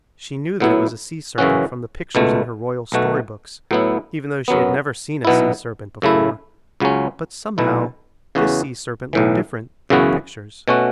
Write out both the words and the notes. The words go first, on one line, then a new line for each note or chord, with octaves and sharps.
She knew that it was a sea serpent from the pictures in her royal story books even though she had never seen a sea serpent before, but somehow this sea serpent looked different than the pictures.
A2 F#3 B3 E4
F#2 C#3 E3 C#4 F#4
C#2 B2 A3
B1 B2 A3 F#4
A2 F#3 B3 E4
F#2 F#3 B3
B1 B2 B3 E4
F#2 C#3 A3 E4
C#2 C#3 F#3 C#4
B1 B2 A3 E4
E2 C#3 E3 C#4 F#4
B1 A2 E3
F#2 C#3 E3 B3 F#4
B2 A3 C#4 F#4